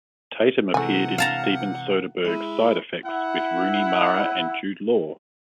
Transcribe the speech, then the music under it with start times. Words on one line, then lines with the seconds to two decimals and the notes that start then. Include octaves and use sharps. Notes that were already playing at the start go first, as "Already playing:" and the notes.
Tatum appeared in Steven Soderbergh's "Side Effects", with Rooney Mara and Jude Law.
0.74 C3 E3 G#3 A3 F#5 G#5
1.18 F5 A5 A#5
2.25 G#3 E4 D#7 F#7
3.06 E4 F#5